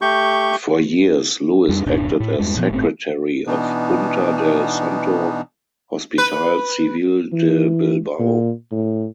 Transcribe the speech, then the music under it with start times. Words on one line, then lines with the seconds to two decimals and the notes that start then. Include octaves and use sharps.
For years Luis acted as secretary of Junta del Santo Hospital Civil de Bilbao.
0.02 A3 G4 C#6 G6
1.69 F2 G3 D4
1.86 D1 F#2 B2 D4
2.20 A2
2.39 E2 G2 G3 G#3
2.57 A#2 F3 B3
2.70 G1 A2 C4
3.47 B2 E3 B3 D4 D#4
6.18 B4
7.33 E3
8.19 A#2
8.72 A2